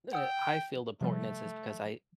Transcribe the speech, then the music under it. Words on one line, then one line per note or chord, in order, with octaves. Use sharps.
the, uh I feel the importance is is because I
F#5 G5 D#6 E6
C3 F3 G3 A3